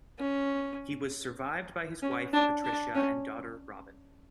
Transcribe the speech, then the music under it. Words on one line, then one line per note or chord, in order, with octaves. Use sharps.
He was survived by his wife Patricia and daughter Robin.
C#4
C#4
D4
D4
C#4